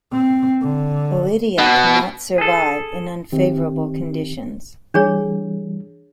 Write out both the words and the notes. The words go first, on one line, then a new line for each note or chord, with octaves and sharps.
Oidia cannot survive in unfavourable conditions.
C4
D3
B2 B3
G#4 A4
D#3 C4 G4
E3 G3 D4 G#4 C#5